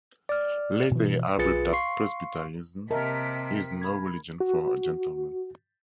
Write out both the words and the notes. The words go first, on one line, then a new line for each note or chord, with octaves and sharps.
Later he averred that "Presbyterianism is no religion for a gentleman".
D5 F6
B2 E3
B1 F4 G#4 B4 A6 C#7
F5 C6 C#6 C7
C3 A#4 D#5 E5 A5 B6
B5 G#6
F#4